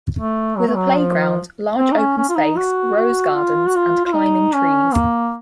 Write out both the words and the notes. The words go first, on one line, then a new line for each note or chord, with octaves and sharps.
With a playground, large open space, rose gardens and climbing trees.
A3
F#3
A3
F#3
F3
C4
D#4
C#4
C#4
F4
D#4
F#4
F#4
F4
F#4
F4
F4
D#4
C#4
A#3